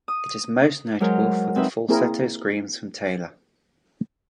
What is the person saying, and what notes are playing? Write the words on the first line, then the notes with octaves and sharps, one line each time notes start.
It is most notable for the falsetto screams from Taylor.
D#6
F#3 G#3 A#4 C5
C4 D#4 B4 E5
A#3 C4 E4 G#4 A#4